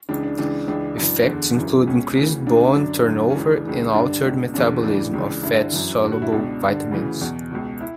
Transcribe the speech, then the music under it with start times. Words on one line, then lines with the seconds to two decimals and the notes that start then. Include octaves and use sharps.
Effects include increased bone turnover and altered metabolism of fat-soluble vitamins.
0.09 C#2 C#3 E3 D4
0.23 D4
0.38 C#2 C#3 E3 D4
0.68 C#2 C#3 E3 D4
0.98 F#2 E3
1.27 E2 D3
1.57 F#2 C#3 E3
1.87 C#2 B2 C#4
2.17 D2 C#3 E3
2.47 D2 D3 D4
2.61 C#4
2.76 F#2 D3 D4
3.05 F#2 D3
3.30 C#4
3.35 C#2 C#3 E3 D4
3.65 C#2 C#3 E3
3.95 G2 D3 D4
4.25 C#2 B2
4.54 E2 D3 C#4
4.83 D2 C#3 E3 D4
5.13 C#2 C#3 E3
5.43 G2 D3 E4
5.73 F#2 E3
6.02 G2 D3
6.12 F#4
6.22 E4
6.32 C#2 B2 D4
6.62 G2 D3
6.91 D2 C#3 E3
7.21 E2 B2
7.51 C#2 B2
7.81 E4